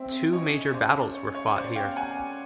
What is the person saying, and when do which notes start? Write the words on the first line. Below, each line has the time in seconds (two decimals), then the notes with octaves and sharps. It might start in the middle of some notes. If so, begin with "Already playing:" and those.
Two major battles were fought here.
Already playing: C4 E5
0.33 C#4 C#5 D#5
0.74 C5 D5
1.15 C#5
1.35 C#5
1.56 C5 D5
1.76 F5 G5
1.96 F#5 G#5